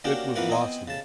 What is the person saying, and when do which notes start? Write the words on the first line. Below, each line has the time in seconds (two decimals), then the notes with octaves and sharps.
It was Vasily.
0.04 A#3 C#4 D4 F#4 G4 A#4
0.35 F2 E3 A#3 A#4 B4 F#5
0.49 B3 C4 D#5 G#5
0.88 C#3 A5